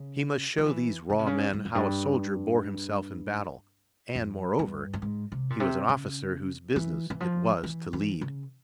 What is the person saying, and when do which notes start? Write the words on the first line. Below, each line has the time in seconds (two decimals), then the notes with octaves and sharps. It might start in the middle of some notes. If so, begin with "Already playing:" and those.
He must show these raw men how a soldier bore himself in battle, and, moreover, he was an officer whose business it was to lead.
Already playing: C#3
0.58 F3
0.66 E3
1.10 C#3
1.19 C3
1.26 C#3
1.53 G2
1.65 F2
1.75 G2
4.15 F2
4.59 G2
4.93 G2
5.02 G#2
5.32 C3
5.50 A#2
5.60 C3
5.89 C#3
6.76 E3
7.10 E3
7.20 F3
7.63 E3
7.93 E3
8.21 C#3